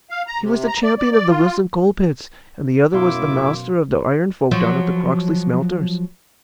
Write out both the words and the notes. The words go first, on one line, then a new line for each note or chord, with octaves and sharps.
He was the champion of the Wilson coal-pits, and the other was the Master of the iron-folk down at the Croxley smelters.
F5
A#5
C3
A#5
D5
D5
D5
F4
F#2 B2 E4 F5 C6 D6
F3 F#3